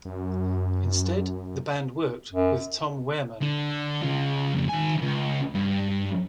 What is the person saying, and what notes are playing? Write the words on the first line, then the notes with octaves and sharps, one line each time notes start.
Instead, the band worked with Tom Werman.
F#2
F#2
D3
C#3 F4
F2 C#3
D#3 G#5
C#2 G2
G2